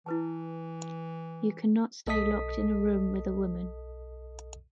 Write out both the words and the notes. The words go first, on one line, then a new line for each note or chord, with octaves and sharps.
You can not stay locked in a room with a woman.
E3 E4 B4 A5
B1 A4 D#5 A5 D#6 B6